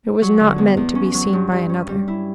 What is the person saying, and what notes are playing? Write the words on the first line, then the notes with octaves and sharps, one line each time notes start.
It was not meant to be seen by another.
F#3
D3
E2
E2
C#4
F#3
G2
G2
C#4
G3
E4